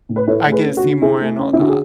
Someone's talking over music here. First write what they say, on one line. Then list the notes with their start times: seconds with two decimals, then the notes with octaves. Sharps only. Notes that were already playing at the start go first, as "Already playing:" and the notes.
I get see more and all that."
0.09 A2
0.16 B4
0.27 E4 A4 C#5
0.46 A3
0.52 G#4 B4
0.64 C#4
0.77 F#4
0.83 D3
1.02 E4 G#4
1.21 A3
1.39 C#4
1.53 E4
1.58 D3 F#4
1.69 G#4